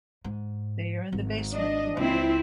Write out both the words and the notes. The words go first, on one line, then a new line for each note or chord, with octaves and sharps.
They are in the basement level.
G#2
G#1
D4 D#5
C#2 C4 E4